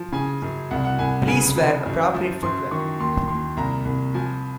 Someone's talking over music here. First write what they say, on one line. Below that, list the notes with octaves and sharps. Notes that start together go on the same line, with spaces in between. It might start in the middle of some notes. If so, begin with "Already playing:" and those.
Please wear appropriate footwear.
Already playing: F3
C#3 G#5
F#2
C2 F#5
F#5
C2 G#5
C#3 G#5
F3
F#2
F3
F#2 C6
D#3 C#6
D#2 C6
D#2 C6
C2 A#5
C2
F3 G#5